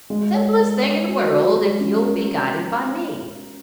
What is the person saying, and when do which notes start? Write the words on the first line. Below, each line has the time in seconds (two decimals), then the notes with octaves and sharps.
"Simplest thing in the world if you'll be guided by me."
0.10 G#3
0.34 C#5
0.58 A#4
0.83 C#5
1.07 F#4
1.31 F#4
1.56 G#3
1.80 C#4
2.05 A#4